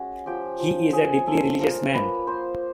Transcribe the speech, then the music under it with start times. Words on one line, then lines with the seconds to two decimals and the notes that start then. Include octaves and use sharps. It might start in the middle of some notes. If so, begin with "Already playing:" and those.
He is a deeply religious man.
Already playing: G#3 C#4 F#4 F#5
0.26 F3 G4 G5
0.60 F3
0.93 C#4 G#4 G#5
1.27 G#3 A4 A5
1.60 F3 A#4 A#5
1.94 A#3 B4 B5
2.27 A#3 C5 C6